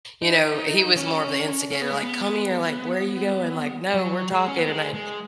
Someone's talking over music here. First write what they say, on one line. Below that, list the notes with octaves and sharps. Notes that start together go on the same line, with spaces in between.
you know, he was more of the instigator, like, "Come here," like, "Where are you going?" Like, "No, we're talking." And I
D#4
C#4
C#4
B3
G#3
B3
F#3
G#3
C#4
B3
G#3
G#3